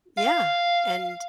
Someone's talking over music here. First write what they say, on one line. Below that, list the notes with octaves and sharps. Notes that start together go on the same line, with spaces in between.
yeah, and
F5